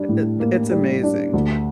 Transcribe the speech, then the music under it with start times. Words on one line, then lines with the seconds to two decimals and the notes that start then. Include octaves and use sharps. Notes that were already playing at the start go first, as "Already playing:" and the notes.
Eh, It Th It's amazing.
Already playing: G3 D4
0.09 A2
0.40 A#3
0.71 G3
1.03 D4
1.34 D2